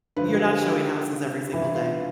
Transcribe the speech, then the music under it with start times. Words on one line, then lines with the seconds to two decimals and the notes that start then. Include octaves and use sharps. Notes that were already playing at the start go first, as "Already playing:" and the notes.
You're not showing houses every single day.
0.16 G2 D3 F3 B4
0.34 G4
0.39 A4
0.62 G4
1.52 G2 E3 E4
1.75 F4